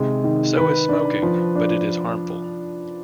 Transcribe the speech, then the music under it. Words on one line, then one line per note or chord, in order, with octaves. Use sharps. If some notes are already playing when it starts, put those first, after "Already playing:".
So is smoking, but it is harmful.
Already playing: C3 D#3 G#3
D#3
D#3 B4
D4
F3
D4